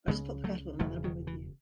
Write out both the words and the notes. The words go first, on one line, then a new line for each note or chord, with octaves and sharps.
I'll just pop the kettle on and then I'll be with you.
C#2 C#3 G#3 B3
F#3 A3
E1 E2 C#3 F#3 A3
D#3 F#3
E3